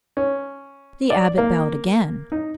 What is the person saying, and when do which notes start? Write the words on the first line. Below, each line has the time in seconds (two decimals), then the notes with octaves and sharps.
The Abbot bowed again.
0.17 C#4
1.10 D5
1.38 A#3
2.32 D#4